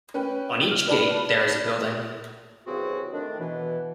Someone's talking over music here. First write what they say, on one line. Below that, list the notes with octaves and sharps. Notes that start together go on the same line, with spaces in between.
On each gate there is a building.
C#4 B4 G5
F6
B4 D5 A5 B5
C2 C#3 E3 C4 F#4 G#4
A2 D#3 D4
B2 E3